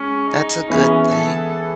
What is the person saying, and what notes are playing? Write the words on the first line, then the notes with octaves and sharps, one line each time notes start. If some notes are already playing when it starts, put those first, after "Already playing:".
that's a good thing,
Already playing: G#3 C#4
D#4
E3 B3 C#4 E4 G#4
A4